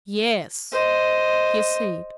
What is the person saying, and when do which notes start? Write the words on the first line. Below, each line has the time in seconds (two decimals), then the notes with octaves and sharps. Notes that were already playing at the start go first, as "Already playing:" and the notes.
"Yes," he said.
0.73 C5 D#5